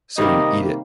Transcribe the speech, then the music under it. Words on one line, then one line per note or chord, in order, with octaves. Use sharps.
So you eat it.
C3 D#3 G3 A#3 D#5